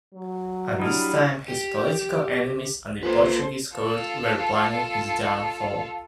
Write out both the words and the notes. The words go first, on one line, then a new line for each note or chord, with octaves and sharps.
At this time, his political enemies at the Portuguese court were planning his downfall.
F#3
G3 D4 E4 D#5 F5
G4
A#3 F4 A4 B4 C5
F4 A4